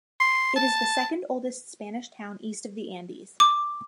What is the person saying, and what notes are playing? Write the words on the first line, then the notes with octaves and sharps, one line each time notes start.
It is the second oldest Spanish town east of the Andes.
C6
A5
D6